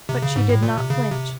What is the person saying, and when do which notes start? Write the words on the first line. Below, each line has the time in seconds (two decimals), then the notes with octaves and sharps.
But she did not flinch.
0.09 C3
0.22 C#3
0.36 G#2
0.49 A2
0.63 A#2
0.77 C3
0.90 C#3
1.11 C3